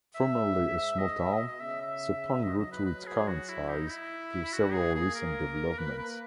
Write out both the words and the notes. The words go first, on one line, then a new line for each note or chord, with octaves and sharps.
Formerly a small town, Sepang grew to its current size through several recent developments.
E5
G#2
E5
D#5
B2 E5
D#5
D#5
C#3 E5
E5
F#3 D#5
D#5
B4
F#3 B4
G#4
F#4
E4
D#4
E4
F#4
G#4
A#3 G#4
A#4
A#3 B4
B4